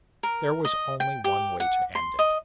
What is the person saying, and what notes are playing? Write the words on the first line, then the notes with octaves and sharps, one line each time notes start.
There was only one way to end it.
A#4
D#5
G5
G4
F#5
C6
D#5